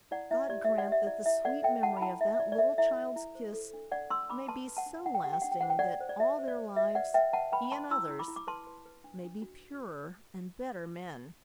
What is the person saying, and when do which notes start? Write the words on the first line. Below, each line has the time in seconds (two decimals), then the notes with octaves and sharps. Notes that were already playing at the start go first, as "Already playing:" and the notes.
God grant that the sweet memory of that little child's kiss may be so lasting that all their lives, he and others, may be purer and better men.
0.11 E4 D5 F#5
0.31 E4 E5
0.49 G4 D5
0.65 E5
0.69 G4
0.78 D5 F#5
0.88 G4 E5
1.07 E4 D5
1.25 E4 E5
1.45 A4 D5 F#5
1.63 A4 E5 G5
1.83 E4 F#5 A5
1.97 B5
2.01 E4 F#5 A5
2.21 E4 E5
2.35 E5
2.40 E4 D5
2.52 D5
2.58 A4 E5
2.78 E4 E5
2.96 E4
3.16 E4
3.35 C5
3.53 A4
3.73 D4
3.92 D4 D5 F#5
4.10 D4 C6 E6
4.30 D4 B5 D6
4.48 B4 A5 C6
4.68 B4
4.77 F#5 A5
4.86 D4
5.06 D4 F#5
5.14 G5
5.24 G4 F#5
5.33 G5
5.42 D4 F#5
5.51 G5
5.61 C5 F#5
5.70 G5
5.79 F#4 D5 F#5
6.00 C5
6.09 D5
6.20 F#4 E5
6.39 C5
6.48 D5
6.57 C5
6.77 F#4 E5
6.95 B4 D5 F#5
7.14 B4 E5 G5
7.33 B4 F#5 A5
7.52 B4 G5 B5
7.65 B5
7.71 B4 A5 C6
7.90 E4 C6 E6
8.09 E4
8.19 B5 D6
8.28 E4
8.36 D6
8.47 B4 A5 C6
8.67 B4
8.86 B4
9.04 D4
9.24 D4
9.42 F#4